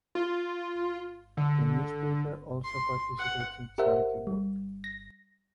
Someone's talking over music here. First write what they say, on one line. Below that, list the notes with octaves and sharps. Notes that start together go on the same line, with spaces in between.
The newspaper also participates in charity work.
F4
D3
C6
F#5
G4 A#4 C5 E5 F#5
G3
A#6